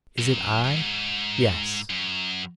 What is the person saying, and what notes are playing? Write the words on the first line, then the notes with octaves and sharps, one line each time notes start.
"Is it I? Yes."
F#2
F#2
G#2
F#2